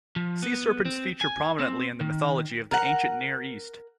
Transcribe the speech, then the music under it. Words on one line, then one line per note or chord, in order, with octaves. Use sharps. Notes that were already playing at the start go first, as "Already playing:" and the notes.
Sea serpents feature prominently in the mythology of the Ancient Near East.
F3
B3
C4
G#5
C4
D#3
A#4 F#5